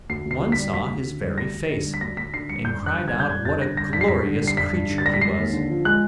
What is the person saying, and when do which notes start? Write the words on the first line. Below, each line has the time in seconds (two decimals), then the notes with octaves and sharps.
One saw his very face, and cried out what a glorious creature he was!
0.09 D2 C7
0.25 D2
0.31 C7
0.42 D3
0.52 B6
0.58 G3
0.73 D2 B6
0.90 D2
1.05 D3
1.21 G3
1.37 D2 A#6
1.54 D2
1.69 D3
1.85 G3
1.94 B6
2.01 D2 A#6
2.17 D2 B6
2.33 D3 C7
2.49 G3 C#7
2.65 G2 G6
2.82 G2 F#6
2.97 D3
3.08 G#6
3.14 G3
3.20 G6
3.29 G2 G#6
3.45 G2 A6
3.61 D3 A#6
3.77 G3 A#6
3.93 G2 B6
4.01 C7
4.08 G2 B6
4.25 D3
4.41 G3
4.47 C7
4.57 G2 B6
4.73 G2
4.90 D3
4.98 A6
5.05 G3 A#6
5.14 B6
5.21 G#3 C7
5.38 D#2
5.53 D3
5.70 F3
5.85 G#3 F#6